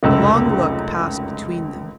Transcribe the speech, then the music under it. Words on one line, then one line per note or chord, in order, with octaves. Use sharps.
A long look passed between them.
F1 C#2 F#2 E6